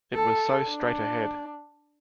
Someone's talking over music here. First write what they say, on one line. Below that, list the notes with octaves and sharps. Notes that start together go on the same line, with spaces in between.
It was so straight-ahead.
A4
D4